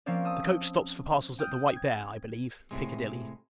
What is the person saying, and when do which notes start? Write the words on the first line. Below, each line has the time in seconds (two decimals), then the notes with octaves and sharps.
The coach stops, for parcels, at the White Bear, I believe, Piccadilly.
0.06 F3 A#3 C4 C#4 D5
0.25 A5 D#6 E6
1.39 G5 D#6 F6 G6
1.76 G#6
2.71 A2 C3 G#3